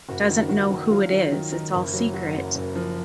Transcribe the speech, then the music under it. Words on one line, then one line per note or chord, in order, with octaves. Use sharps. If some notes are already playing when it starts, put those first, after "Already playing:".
doesn't know who it is, it's all secret,
F#1 F#4
D#3
F#1 F#4
D#3
F#3 F4
D#3
D#3
D#3
F#1
F#3
F#3 F#4
F#2
F#1
F3